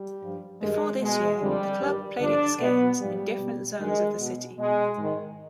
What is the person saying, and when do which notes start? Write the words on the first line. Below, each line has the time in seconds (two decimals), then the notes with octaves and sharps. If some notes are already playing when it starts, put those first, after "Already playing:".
Before this year, the club played its games in different zones of the city.
Already playing: G3
0.22 G2 F3
0.61 G2 D#3 G#3
1.01 B2 G#3
1.40 F2 D3 F3 G3
1.80 G2 D#3
2.19 G2 D3 F3 D4
2.59 B2 B3
2.99 G#2 F3 G3
3.39 B2
3.79 G2 D#3 G#3
4.19 B2
4.57 B2 G#3
4.97 G#2 D#3